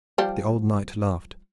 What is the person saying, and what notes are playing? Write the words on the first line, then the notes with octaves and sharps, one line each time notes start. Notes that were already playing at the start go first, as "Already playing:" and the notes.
The old knight laughed.
F3 G3 G4